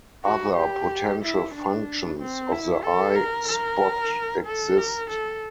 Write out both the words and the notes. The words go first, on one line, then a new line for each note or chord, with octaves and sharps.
Other potential functions of the eye spot exist.
F#4
G4
E4
D4
C4
E4
A4
A#4
A#4
A4
A#4
A4